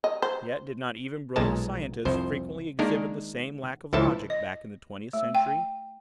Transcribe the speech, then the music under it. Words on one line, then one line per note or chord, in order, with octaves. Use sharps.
Yet, did not even brilliant scientists frequently exhibit the same lack of logic back in the Twentieth Century?
D#5
C5
B1 A#2 G#3 A5
C2 F2 C5
D#3 G#3 A#3 D4 A#4
C#2 E3 F3 E4 A4 A5
D#5
A3
G5